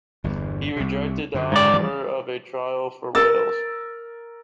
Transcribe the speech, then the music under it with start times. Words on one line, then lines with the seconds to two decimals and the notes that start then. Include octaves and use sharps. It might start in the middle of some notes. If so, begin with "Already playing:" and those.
He rejected the offer of a trial for Wales.
0.24 G1 E2
0.76 C2 C3
1.34 F#2 D3
1.52 G#2 D5
1.74 E3 F3 G3
3.15 A#4 E6 A6